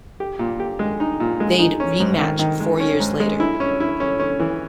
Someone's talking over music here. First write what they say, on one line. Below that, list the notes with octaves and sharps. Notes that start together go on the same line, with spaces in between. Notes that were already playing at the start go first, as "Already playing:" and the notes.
They'd rematch four years later.
G4
A#2
G4
G#3
D#4
A#2
G#3
D#4
C#4
G#2
D#3
D#3
G#3
C#4
G#2
G#3
E4
C#4
E4
C#4
C#4
E3